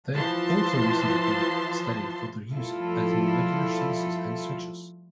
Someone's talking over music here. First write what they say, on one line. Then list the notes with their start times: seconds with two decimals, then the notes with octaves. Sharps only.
They have also recently been studied for their use as molecular sensors and switches.
0.14 E3 F3 A5 C6
2.51 F3 G3 A3 E4 F4 A4